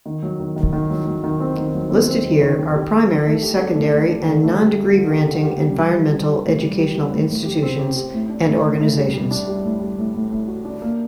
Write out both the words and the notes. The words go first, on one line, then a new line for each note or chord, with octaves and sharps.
Listed here are primary, secondary, and non-degree granting environmental education institutions and organizations.
D#3
F#3
D#3
D#3
D#3
F#3
F#3
D#3
C4
D#3
F#3
C4
C4
D#3
D#3
D#3
G4
G4
D4
A3
G4
D4
A3
A3
D4
D3
A3
G4
G4
D3
G4
D3
G4
G3
G3
G4
G3
G4
A2
G3
G4
G3
A2
A2
G4
C4
G4
G4
A2
D4
A2
A2
A2
G3
G3
D4
G3
A2
G3
A2
A2
A2
F#4
D4
A#3